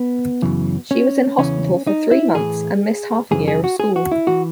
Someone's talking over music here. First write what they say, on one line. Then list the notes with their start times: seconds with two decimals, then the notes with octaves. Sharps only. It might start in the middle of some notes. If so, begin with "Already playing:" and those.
She was in hospital for three months and missed half a year of school.
Already playing: B3
0.42 F#2 C#3 E3
0.91 C#4
1.38 E2 C#3 E3 C#4
1.87 D#4
2.11 E4
2.35 A2 E3 G#4
3.31 F#2 C#3 E3 G#4
3.48 G#4
3.64 F#4
3.80 G#4
3.96 F#4
4.12 E4
4.27 E3 F#4